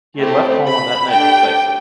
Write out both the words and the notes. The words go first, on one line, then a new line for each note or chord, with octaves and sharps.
He had left home on that night precisely.
A3 C4 E4 G4
B5
A3 D4 G4 G5